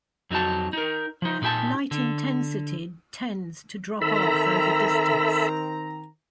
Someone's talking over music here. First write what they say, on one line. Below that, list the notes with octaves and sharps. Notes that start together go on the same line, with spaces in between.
Light intensity tends to drop off over distance.
F2 F#3 D#4 F#4 A5
D#4 A#4
F3 D#4
A#2 D#4 G4 G#5 A5
D3
D#3 C4 A4 E5 A#5 B5